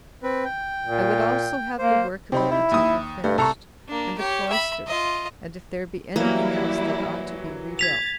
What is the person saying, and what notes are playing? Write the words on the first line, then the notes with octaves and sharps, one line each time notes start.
I would also have the work about the temple finished, and the cloisters, and if there be any thing else that ought to be rebuilt.
C4 B4
G5
A#2
A#3 C5
C3 C4 D#4 B5
E4
D#2 D#6
G2 A3
C2 A4 A#5 C#6
A#3 D4
G4 C#5
E5 B5
F4 D#5
E3 F#3 G3 A#3 E4
G#6 A6 B6 F7